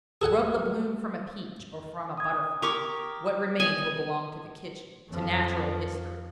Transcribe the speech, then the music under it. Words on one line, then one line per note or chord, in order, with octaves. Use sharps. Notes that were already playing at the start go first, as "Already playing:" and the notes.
Rub the bloom from a peach or from a butterfly--what remains will belong to the kitchen, to natural history!
G#4 A4 F#5 G#5
D#6 G#6
G4 A#4 C#6 D6
D#5 G#5
F2 F3